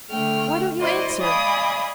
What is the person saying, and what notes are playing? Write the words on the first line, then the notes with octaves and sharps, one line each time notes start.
Why don't you answer?
D3 A3 G5 F6
E4 F#4 C5 D5 D#5 C6
D5 D#5 F5 G#5 B5 D#6